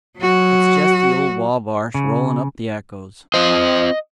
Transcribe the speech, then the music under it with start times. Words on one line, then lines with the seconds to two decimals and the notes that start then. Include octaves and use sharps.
It's jest the old Wabash rollin' up the echoes.
0.17 F#3 F#4
1.95 C#3
3.34 C4 F4 C5 D#5